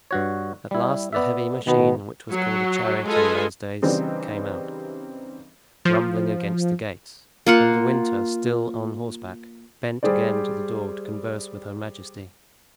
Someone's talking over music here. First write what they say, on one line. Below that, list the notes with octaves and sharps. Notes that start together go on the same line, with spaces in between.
At last the heavy machine, which was called a chariot in those days, came out, rumbling against the gates, and De Winter, still on horseback, bent again to the door to converse with her majesty.
G2 F#4 C#5
G3 E4
B3 D5 E5
B2 D#3 B3
F#3
G#3 F4 A4 B4 D#5 G#5
C#3 E3 G3 C4 D#4
F3
A#3 F4 F#5
G3 G4 G#4 C5 D5